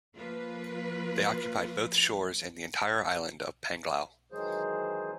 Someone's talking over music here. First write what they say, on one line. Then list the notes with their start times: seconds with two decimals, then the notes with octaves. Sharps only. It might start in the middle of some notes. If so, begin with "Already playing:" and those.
They occupied both shores and the entire island of Panglao.
0.14 F3 A#3 F4 B4
4.32 D#3 E3 F#3 G#3 G#4 C5